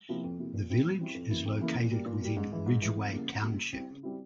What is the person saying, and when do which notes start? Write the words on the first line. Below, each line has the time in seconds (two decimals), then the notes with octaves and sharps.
The village is located within Ridgeway Township.
0.09 C3 F3 A#3 E4
0.24 F2
0.39 C3 F3 A#3 E4
0.54 A#2
0.70 G3 C4 E4
0.85 A#2
0.99 G3 C4 E4
1.14 F2
1.30 C#3 E3 A#3 E4
1.46 F2
1.61 C#3 E3 A#3 E4
1.76 A#2
1.91 G3 A#3
2.06 A#2
2.21 G3 A#3
2.37 G#2
2.52 E3 G#3
2.66 G#2
2.82 E3 G#3
2.97 F2
3.12 C#3 G3 A#3 E4
3.27 F2
3.42 C#3 G3 A#3 E4
3.58 C#3
3.72 G3 C4 E4
3.88 C#3
4.03 G3 C4 E4